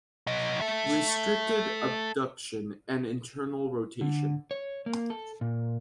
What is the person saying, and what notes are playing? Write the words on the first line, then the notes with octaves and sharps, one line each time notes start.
Restricted abduction and internal rotation.
F#3 D#5
A4 E5
D3
C#5
A#3
A4
A#2